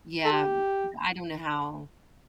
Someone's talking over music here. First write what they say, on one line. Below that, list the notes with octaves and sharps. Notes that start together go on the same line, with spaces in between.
Yeah m I don't know how
A4
G4